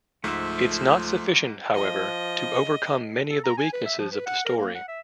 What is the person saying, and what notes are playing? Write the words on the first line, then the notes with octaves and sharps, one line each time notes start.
It's not sufficient, however, to overcome many of the weaknesses of the story.
C#2 G#2 F3 A3 E5
F3 D#5
A4
A#5
G#5
B4
E5
F3
B4
F#5
A#4
A#3
F#5
E5